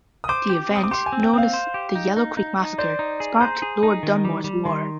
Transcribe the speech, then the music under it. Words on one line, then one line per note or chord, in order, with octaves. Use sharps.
The event, known as the Yellow Creek massacre, sparked Lord Dunmore's War.
D#6
C5 D6
G4
C4
D#6
D6
G4 C6
G#5
C4
G5
C4 F5
C5
G4
D#4
D#4
D#4
D#4
C5 D5
D#4
G#4
C5 A#5
G#4
D#4
D#3
G3
G3
D#3 C6